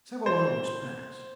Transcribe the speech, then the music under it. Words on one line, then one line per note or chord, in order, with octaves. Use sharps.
Several hours passed.
C5